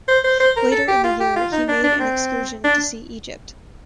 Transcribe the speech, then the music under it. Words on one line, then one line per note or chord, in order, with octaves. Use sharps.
Later in the year, he made an excursion to see Egypt.
C5
C5
C5
A#4
A4
G4
F4
G4
F4
D#4
D4
D4
C4
D4